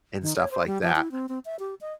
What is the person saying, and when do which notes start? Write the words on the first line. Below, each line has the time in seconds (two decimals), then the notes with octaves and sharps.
and stuff like that,
0.22 D#3
0.37 C#5
0.51 C5
0.67 G3
0.82 F3
0.96 E4
1.12 C4
1.29 C4
1.45 E5
1.59 G4
1.81 D#5